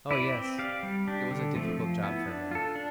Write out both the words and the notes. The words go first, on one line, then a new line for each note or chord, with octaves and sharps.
Oh, yes, it was a difficult job for him.
E4 B4 D5
C4
G4 D5 F5
G3
D4 G4
D3
F3 A3 C4
F3
B3 E4
D4
F4 A4
D4